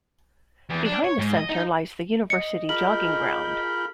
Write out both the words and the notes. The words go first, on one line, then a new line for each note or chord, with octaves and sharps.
Behind the center lies the university jogging ground.
E2
D4
C#5
G#2
D#5
D#4
D#5 C#7
F4 G#4 A#4 B5 G6 F#7